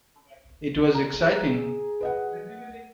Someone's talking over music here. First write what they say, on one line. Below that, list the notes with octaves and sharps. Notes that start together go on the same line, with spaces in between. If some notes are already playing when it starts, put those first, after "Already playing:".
It was exciting.
G#4 A#5
B4 D#5 F#5